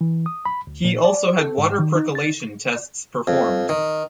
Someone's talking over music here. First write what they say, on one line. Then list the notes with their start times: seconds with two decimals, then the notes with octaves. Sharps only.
He also had water percolation tests performed.
0.01 E3
0.26 D#6
0.45 B5
0.67 D2
0.84 A#2
1.04 D5
1.38 A4
1.58 G#2
1.79 D#3
1.95 D#4
2.15 A6
3.27 F2
3.69 D#3